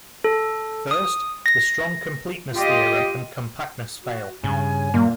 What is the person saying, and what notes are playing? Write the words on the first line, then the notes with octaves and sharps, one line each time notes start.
First, the strong completeness theorem and compactness fail.
A4
D#6
A#6
F4 G4 D#5
F#4
G2 C#3 G#5
A#2 A#3